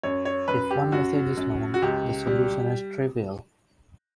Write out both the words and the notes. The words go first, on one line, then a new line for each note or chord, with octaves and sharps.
If one message is known, the solution is trivial.
F#2 C#5
C#5
F#2 B4
G4
F#2 F#4
F#2
F#4
C#2 G4
G3